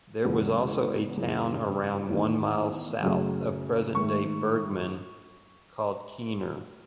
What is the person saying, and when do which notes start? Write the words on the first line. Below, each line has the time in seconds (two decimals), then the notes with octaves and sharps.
There was also a town around one mile south of present-day Bergman called Keener.
0.24 E2 C#3 G#3 B3
1.17 F#2 C#3 E3
2.10 E2 D#3 A3
3.02 F#2 C#3 F#3 A3
3.95 G#2 D#3 A3 C#6